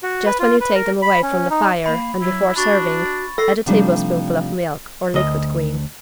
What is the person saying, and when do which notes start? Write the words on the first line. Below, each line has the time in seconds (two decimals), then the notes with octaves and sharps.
Just when you take them away from the fire and before serving add a tablespoonful of milk or liquid cream.
0.03 F#4
0.26 B4
0.39 F4
0.61 B4
0.75 A#4
1.02 B5
1.23 C#4
1.51 D#4
1.86 A#3 B5
2.21 F#3 E4
2.56 D4 F#4 B5 C#6 A6
3.38 A4 E6 A#6 C7
3.66 C3 F3 G3 A3 D4 D#4
5.14 D2 D#5